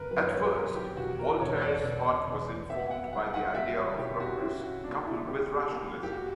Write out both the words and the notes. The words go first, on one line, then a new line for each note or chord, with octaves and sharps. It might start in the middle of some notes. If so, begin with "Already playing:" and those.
At first Voltaire's thought was informed by the Idea of Progress coupled with rationalism.
Already playing: G1 A#4 B4
F#3 B4
C#5
B4
F#3 A#4
G4
E1 F#4
A#4
E1 C#5
C#5
D5
B2
E1
B3 E5
F#5
E5
G3 F#5
F#5
G3 E5
C#5
B2 G4
F#4
C#4 E4
F#4
A#3 D4
E4
C#4 G4
A#3
G4
F#4